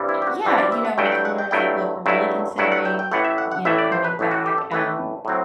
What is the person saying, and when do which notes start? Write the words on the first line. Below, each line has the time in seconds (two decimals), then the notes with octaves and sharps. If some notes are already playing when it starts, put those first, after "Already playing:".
Yeah, you know, I told her, I was like, "Look, we're really considering, y you know, coming back, um,
Already playing: G2 E3 G3 C4
0.09 E4
0.22 G4
0.27 F#4
0.45 G2 E3 G3 C4 F#4
0.58 D5
0.72 E5
0.85 F#5
0.98 G2 F#3 A3 E4 G5
1.06 F#5
1.12 G5
1.25 F#5
1.38 G5
1.51 G2 F#3 A3 E4 G5
2.06 G2 F#3 A3 E4
2.58 G2 F#3 A3 E4 F#5
2.72 F#5
2.85 G5
2.99 G5
3.11 A1 A2 E3 A3 F#5
3.25 E5
3.38 F#5
3.52 F#5
3.65 A1 A2 E3 A3 E5
3.78 D5
3.92 C5
4.05 B4
4.19 A1 A2 E3 A3
4.31 F#4
4.46 G4
4.58 A4
4.71 A1 A2 E3 A3 B4
5.25 A2 F#3 C4